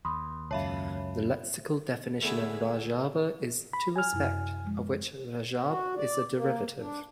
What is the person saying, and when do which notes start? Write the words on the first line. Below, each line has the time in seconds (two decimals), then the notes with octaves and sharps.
The lexical definition of Rajaba is "to respect", of which Rajab is a derivative.
0.05 D#2 B5 C6 D#6
0.51 C#2 F#2 C#5 E5 F5 A5 B5
2.21 D2 A3 B3 E4 G#4 B4
3.73 B5
3.96 G#5 F6
4.13 F#2 C3 E4
4.64 F3 G#3
5.67 F#4
5.97 D5
6.35 A#3
6.80 D4